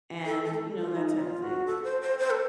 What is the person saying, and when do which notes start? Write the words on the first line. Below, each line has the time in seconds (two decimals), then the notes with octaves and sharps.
and, you know, that type of things.
0.26 A4
0.44 A4
0.78 F4
0.96 D#4
1.20 F4
1.43 F#4
1.67 A4
1.84 C5
2.02 C5
2.19 C5
2.30 A4